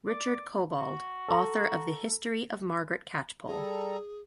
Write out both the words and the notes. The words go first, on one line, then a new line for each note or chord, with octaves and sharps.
Richard Cobbold, author of the "History of Margaret Catchpole".
D5
F#4
A4 A#5
G3 G#4 A4 A#5